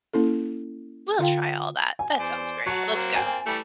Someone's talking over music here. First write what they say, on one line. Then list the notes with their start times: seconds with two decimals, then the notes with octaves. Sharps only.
we'll try all that, that sounds great, let's go."
0.13 A#3 C#4 E4 A4
1.19 D3 F4 F5 G5
1.99 G#5
2.19 E2 C5 D5
2.67 F#3 F#4 A5 C#6
2.94 A#3 C4
3.14 G5 G#5 A6
3.46 E3 G3 A3